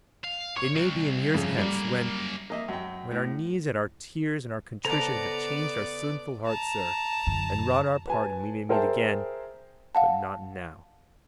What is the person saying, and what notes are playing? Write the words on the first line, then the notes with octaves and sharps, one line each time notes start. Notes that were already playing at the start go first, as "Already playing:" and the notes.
It may be, in years hence, when--when our knees and our tears and our contrition have changed our sinful hearts, sir, and wrought our pardon, we may meet again--but not now.
F5
C#5 C#6
C2
F2 C#3
F#2 G3 A#3
A#3 D#5 E5
F#2 G5
A2
C#3 B3 A4 C5 D5 A#5
A5 A#5
F#2 D3
B4 G#5 A5
G#4 A#4 C5 E5 G5 A5
F5 F#5 A5